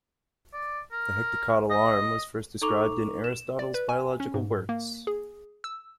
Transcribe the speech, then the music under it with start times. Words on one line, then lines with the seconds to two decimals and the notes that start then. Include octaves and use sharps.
The hectocotyl arm was first described in Aristotle's biological works.
0.53 D5
0.92 A#4
1.70 D#5
2.62 D#4 A4 A#5 C#6 D6 F7
3.24 E7
3.59 D5
3.74 B4
3.89 G#5
4.20 C#4
4.34 G#2
4.69 A#3
5.07 G#4
5.64 E6